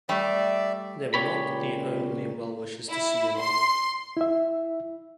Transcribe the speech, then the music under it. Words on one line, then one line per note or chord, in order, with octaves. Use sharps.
They were not the only well-wishers to see him off.
G3 A3 D5 E5
C#2 A#2 C#3 G4 C#5 B5
E4
C6
E4 E5